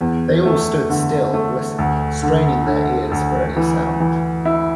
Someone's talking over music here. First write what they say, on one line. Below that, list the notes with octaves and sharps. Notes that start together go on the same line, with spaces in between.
They all stood still and listened, straining their ears for any sound.
E2
A3
D3
A3
D2
D3
D3
D2
E3
E3
E4